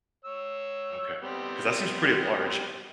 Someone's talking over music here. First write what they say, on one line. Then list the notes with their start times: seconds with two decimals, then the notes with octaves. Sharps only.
Okay, 'cause that seems pretty large.
0.25 C#5 E6
1.23 G3 B3 C4